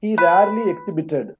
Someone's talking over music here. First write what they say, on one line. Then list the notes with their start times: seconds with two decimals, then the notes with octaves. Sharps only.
He rarely exhibited.
0.18 B4